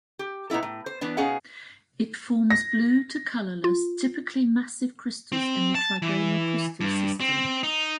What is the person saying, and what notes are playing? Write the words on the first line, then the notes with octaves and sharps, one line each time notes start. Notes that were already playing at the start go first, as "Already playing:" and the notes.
It forms blue to colorless, typically massive crystals in the trigonal crystal system.
G4
A#2 B3 D#4 E4 A4
A2
C5
E3 B3 D4
B2 C#4 D#4 G#4 F5 F#5
A#6
F4
C4
A5
E3
G2
C4
D#4